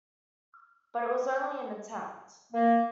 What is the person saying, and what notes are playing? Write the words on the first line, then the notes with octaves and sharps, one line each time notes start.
But it was only an attempt.
A#3